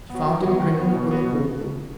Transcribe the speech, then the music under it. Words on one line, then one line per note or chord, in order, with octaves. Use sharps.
She found him grinning over the bowl.
F#3 B3
D#3
F#3 B3
D#3
F#3 B3
B2
F#3 B3 F#4
B2